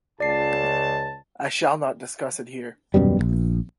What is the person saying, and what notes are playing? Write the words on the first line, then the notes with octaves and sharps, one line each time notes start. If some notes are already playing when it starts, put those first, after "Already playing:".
I shall not discuss it here.
C#2 D5 A5 C7
D#1 F#2 B2 G3
A#1